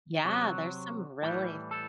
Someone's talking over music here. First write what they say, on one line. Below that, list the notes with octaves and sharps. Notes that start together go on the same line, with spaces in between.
Yeah, there's some really
C3 F#3 F#4
A2 E3 G3
A4